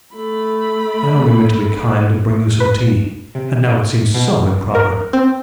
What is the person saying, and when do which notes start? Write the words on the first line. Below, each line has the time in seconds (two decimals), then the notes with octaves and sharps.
I only meant to be kind and bring you some tea; and now it seems SO improper.
0.15 A3 B5
2.60 B4
3.35 C3
4.14 B2
4.75 A#4
5.13 C4